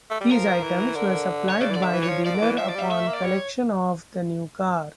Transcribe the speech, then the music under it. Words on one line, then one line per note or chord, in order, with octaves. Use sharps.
These items were supplied by the dealer upon collection of the new car.
A3
G3
F3 A#4
E3
D3
C#5
C#3 D5
E3
D3 D5
E5
E3
C#5
F3
F3 D5
D3
E3
F3 E5
D5
G3 E5
A3 E5
A#3
D5
G3 C#5